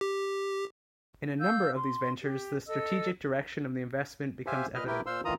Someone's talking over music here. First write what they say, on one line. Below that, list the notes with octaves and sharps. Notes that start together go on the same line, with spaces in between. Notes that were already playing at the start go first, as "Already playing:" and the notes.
In a number of these ventures the strategic direction of the investments becomes evident.
G4
F5 E6 G6
C6
G4
A4 D#5 E6
G4 C5 E5 F5 G#5
A#2 B4 D#5 F6
A3 E4 G4 A#4 B4 G5
A#2 C5 F5 C6 E6
A2 D#3 E3 F4 A#5 D#6